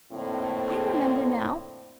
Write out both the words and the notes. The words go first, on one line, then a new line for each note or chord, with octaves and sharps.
I remember now!
F2 A2 D3 A#3 C4